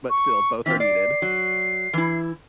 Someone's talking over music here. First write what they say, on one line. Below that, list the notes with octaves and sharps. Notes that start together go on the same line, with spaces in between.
But still, both are needed.
C#6
E3 C4 F4 B6
D5 C7
F#3
E3 E4